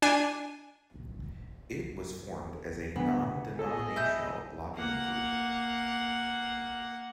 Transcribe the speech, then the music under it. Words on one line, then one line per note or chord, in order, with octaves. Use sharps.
It was formed as a non-denominational lobbying group.
D4 G#5 D#7
D2 B3
G#4 A4 C#5 D#5
E4 G6
A#3 F#5